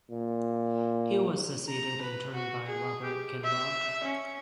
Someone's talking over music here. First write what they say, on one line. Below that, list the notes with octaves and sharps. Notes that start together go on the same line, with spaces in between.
He was succeeded in turn by Robert Kinloch.
A#2
A#5
B4
F#4
G#4
G4
E5
C#4